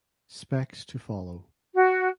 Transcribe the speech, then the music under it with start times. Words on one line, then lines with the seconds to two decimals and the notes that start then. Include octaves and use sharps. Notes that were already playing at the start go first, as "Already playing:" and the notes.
Specs to follow.
1.75 F#4